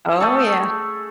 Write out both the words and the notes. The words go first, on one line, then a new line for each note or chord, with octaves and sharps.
Oh, yeah.
A3 G#4 A4